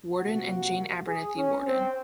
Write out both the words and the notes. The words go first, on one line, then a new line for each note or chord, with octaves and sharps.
Warden and Jane Abernathy Warden.
C3 F3 A#3 F#4
G#4
C#4
C4